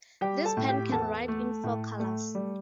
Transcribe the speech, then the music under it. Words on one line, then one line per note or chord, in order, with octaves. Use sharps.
This pen can write in four colors.
G3 G4 G5
A4 A5
A2
G4 G5
E2 A4 A5
A3
A2
A3
G3